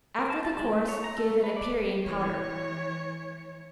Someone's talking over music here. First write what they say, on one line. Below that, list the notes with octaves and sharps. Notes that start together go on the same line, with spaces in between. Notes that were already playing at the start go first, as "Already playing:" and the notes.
After the course give an aperient powder.
A#4
A5
A5
G#3
A3
C#5
A#5
A4
A3
B4
D5
E3 C#5